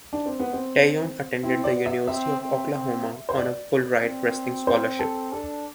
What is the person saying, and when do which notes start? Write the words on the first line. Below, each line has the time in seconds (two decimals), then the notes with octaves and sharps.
Teyon attended the University of Oklahoma on a full ride wrestling scholarship.
0.13 D4
0.26 C4
0.40 B3
0.53 C4
1.43 C4 E4
1.64 D5
1.74 B3
1.86 E5
2.07 C4 E5
2.41 C4
2.73 C4
3.29 C5
3.37 D5
4.02 C4
4.67 C5
4.99 A4
5.32 D4 A4